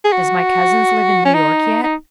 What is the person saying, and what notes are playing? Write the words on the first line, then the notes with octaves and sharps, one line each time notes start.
Does my cousins live in New York yet?
G#4
F#4
C#4
D#4
D#4